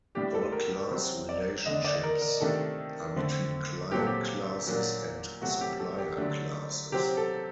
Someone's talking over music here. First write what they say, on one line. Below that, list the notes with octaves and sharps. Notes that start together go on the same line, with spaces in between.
All class relationships are between client classes and supplier classes.
A2 G3 D4 G4
A4
A#4
A#4
C3 F#3 C4
D5
D3 A3 D4 D#5
D5
A#4
A#4
C3 D#3 A3 D4 A4
D3 A3 C4
A#2 F#3 C4 G4
A4
G4
A#2 F#3 A#3 D4
C3 F#3 A3 F#4
G4
A4
G4
D3 F#3 A3 D4
C3 F#3 C4 G4
A4